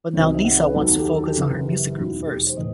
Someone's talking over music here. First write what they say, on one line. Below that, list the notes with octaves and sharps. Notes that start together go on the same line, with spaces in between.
But now Nissa wants to focus on her music group first.
C2 C3 D#3 F#3 C5
D#5
E5
F#5
B4
D#2 D#3 F#3 A4
F#4
G4
A4
A4
G4
F#1 F#2 E3
G4
E1 D#2 D#3 F#3 F#4
E4
G4
C5
A2 E3 D#5